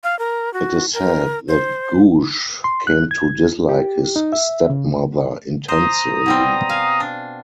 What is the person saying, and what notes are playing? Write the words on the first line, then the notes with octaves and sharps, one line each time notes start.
It is said that Googe 'came to dislike his stepmother intensely'.
F5
A#4
F#4
A#4
C5
C6
F#6
G#6
G4
D#4
E5
C#3
C5 A#5 D#6
B2 G3 C4
F5 G#5
D4